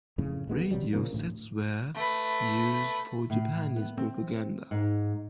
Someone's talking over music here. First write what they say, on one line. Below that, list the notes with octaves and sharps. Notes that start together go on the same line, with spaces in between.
Radio sets were used for Japanese propaganda.
F2 A2 C#3
D#1 G#3 B3
A#1 C3 F#3 G3
A#2 C#3 F3 A#3
A1 D2 A2
A3 B4
A2
B3
C4
G#2